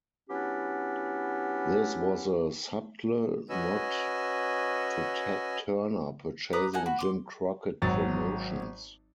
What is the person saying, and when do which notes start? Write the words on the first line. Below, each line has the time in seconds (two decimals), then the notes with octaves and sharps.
This was a subtle nod to Ted Turner purchasing Jim Crockett Promotions.
0.30 F#3 B3 C#4 D4 E4 G4
3.49 C#4 F#4 B4 D#5 G#5 E6
6.53 B4 A#5 D6 D#6
6.73 D#4 A4 F#5 G#5
6.86 F#4 B5
6.99 C6 D6
7.82 G#1 F#3 A6